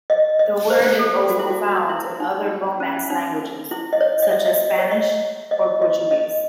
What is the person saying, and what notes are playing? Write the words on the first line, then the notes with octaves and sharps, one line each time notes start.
The word is also found in other Romance languages such as Spanish or Portuguese.
D#5
D#5
C5
C5
A4
F#4
E4
F#4
E4
D#4
C#4
D#4
E4
D#5
C#5
D#5
E5
D#5
C#5
D#5
D#5
D#5
D#5